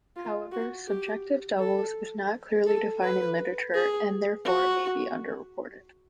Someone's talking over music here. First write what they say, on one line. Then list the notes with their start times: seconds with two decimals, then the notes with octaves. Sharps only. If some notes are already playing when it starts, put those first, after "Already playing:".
However, subjective doubles is not clearly defined in literature, and therefore, may be under-reported.
0.16 F4
0.52 F#4
0.87 G4
1.59 A4
2.67 A4
3.03 B4
3.74 G#4
4.45 F#4